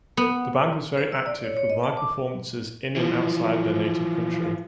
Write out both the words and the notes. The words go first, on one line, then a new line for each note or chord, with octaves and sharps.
The band was very active with live performances in and outside their native country.
B3
C5
E6
D5
C#5
C#5
D#5
A5
D6
E3 F3